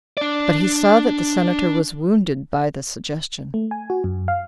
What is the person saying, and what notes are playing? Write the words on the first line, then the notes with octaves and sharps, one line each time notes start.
But he saw that the Senator was wounded by the suggestion.
D4 D5
A3
G#5
F#4
F#2
F5